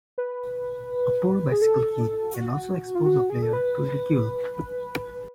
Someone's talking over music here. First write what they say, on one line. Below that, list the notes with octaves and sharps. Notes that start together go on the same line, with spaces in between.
A poor bicycle kick can also expose a player to ridicule.
B4
G#4
A4
F#4
F4
F#4
G#4
A4
B4